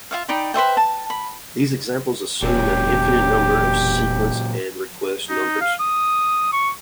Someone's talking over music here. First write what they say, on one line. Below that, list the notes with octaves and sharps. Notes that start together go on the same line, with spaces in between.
These examples assume an infinite number of sequence and request numbers.
F4 E5 F5
D#4 D5 G5 B5
B4 C5 E5 G5
A5
B5
E1 A#2 F#3 C#4 G4
D#4
F5
D#6
C#6